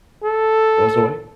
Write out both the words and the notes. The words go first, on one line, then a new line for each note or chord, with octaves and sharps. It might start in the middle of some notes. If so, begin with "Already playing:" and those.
goes away.
A4